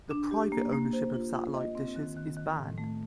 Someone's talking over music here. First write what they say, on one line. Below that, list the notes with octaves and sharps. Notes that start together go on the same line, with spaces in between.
The private ownership of satellite dishes is banned.
D4
G4
A#3
A#3
C5
F4
F4
D#5
C4
D#3
D#3
D#3
A2
A3